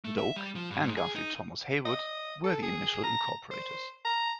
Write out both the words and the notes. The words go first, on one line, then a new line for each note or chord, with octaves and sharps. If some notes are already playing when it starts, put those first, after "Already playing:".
Doak, and Garfield Thomas Haywood were the initial incorporators.
A3
E5
G3
F3
G2
G#2
G#4
D#4
D#5
A4
G#4
A#5
C5
A#5